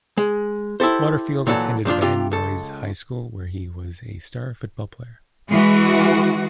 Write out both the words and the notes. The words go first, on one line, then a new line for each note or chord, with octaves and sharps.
Waterfield attended Van Nuys High School where he was a star football player.
G#3
E4 G4 A4 C5
A#2 E3 F#3 A4
A#2 F3 D4 F4
C3 F4 G4
C#2 A4
E3 G#3 F#4